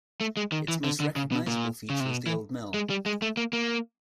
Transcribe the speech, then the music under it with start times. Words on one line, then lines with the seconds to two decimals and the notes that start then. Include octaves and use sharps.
Its most recognisable feature is the old mill.
0.21 A3
0.37 G#3
0.52 D#3
0.68 E3
0.84 D3
1.00 D3
1.16 C#3
1.32 B2
1.47 A#2
1.90 C#3
2.00 C3
2.10 B2
2.27 E3
2.74 G#3
2.90 G3
3.06 G#3
3.22 A3
3.37 A#3
3.53 A#3